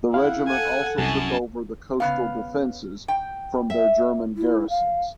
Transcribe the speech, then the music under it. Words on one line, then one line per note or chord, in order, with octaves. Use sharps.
The regiment also took over the coastal defences from their German garrisons.
E4 F5 F#5
A4 F#5 G#5
C2 F#2 G#5 A5
C#3 B3 F5
G5
E5
E4
F5